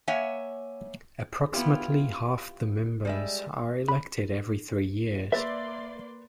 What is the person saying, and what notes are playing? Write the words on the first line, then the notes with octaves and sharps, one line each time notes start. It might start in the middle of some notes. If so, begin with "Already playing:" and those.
Approximately half the members are elected every three years.
A#3 C#5 E5 F#5 G#5
B3 E4 F4 G4
G3 G#3 E5
B5
A#3 B4 D5 E5 C6 A6